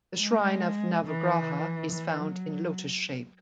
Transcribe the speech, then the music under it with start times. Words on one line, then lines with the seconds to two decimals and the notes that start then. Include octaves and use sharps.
The shrine of Navagraha is found in lotus shape.
0.20 G#3
1.05 E3
1.92 E3
2.20 F#3